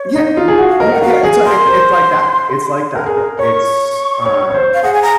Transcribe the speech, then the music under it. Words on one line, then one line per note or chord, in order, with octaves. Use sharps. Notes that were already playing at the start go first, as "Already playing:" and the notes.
Yeah yeah yeah yeah it's it's it's like that it's like that. It's, um
Already playing: C#5
D#4
F4
G#4
F#4
F5
A#4 D#5
F#5
F#4 F5
G#4
A#4 C6
C5
A#4
G#4
A#4
C#5 C#6
C#5
C#5
C5
F5
G#4 F#5
G#5
A#5